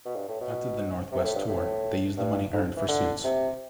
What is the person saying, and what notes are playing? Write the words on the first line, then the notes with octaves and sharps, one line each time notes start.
After the Northwest tour, they used the money earned for suits.
B2
G2
A2
B2
C3
A2
G2
A2
G2
F2
E3
D3
C3